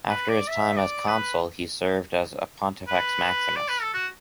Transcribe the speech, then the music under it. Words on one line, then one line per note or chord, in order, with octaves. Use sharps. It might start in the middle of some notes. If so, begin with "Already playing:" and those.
After his time as consul, he served as a Pontifex Maximus.
B4
D5
E5
D5
B4
B4
D5
B4
A4
F#4